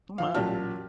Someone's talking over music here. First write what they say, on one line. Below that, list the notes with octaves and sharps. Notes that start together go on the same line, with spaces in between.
Oh my.
F3 F5
A1 A#2 F#3 G4 A5 F6